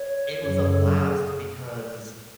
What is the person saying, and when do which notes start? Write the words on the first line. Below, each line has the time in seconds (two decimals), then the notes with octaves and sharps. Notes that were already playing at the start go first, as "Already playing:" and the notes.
it was a blast because
Already playing: C#5
0.44 F#2 C#3 F#3 C#5
0.73 A4
1.03 G#4